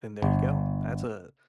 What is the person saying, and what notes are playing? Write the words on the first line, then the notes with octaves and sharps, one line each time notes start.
then there you go. That's a
G1